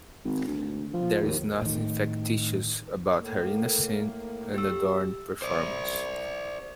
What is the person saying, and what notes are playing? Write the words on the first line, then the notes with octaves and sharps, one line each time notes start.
There is nothing factitious about her innocent, unadorned performance.
G#1
D2
F3
D#2
A2 D#3
A2 A#3
G4 E6
C5 D5